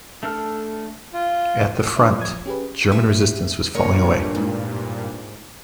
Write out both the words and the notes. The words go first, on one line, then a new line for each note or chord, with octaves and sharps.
At the front, German resistance was falling away.
A3 D4 A4 F6
F4
D4 F4 C#5 E5
F3 D#6 G#6
C#4 G4 G#4 B4
E5
G2 A#2 A#4 C#5
G#2